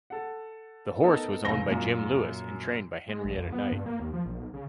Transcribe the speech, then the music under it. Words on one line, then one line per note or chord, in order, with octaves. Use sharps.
The horse was owned by Jim Lewis and trained by Henrietta Knight.
A4 F#5
B3 D#4 A4 A#4
F1 C#2 A#6 G7
F#2 A#2
G#3
A#1
F2
B3
G2
A#3
D#2
F3
A#1
B1
C#3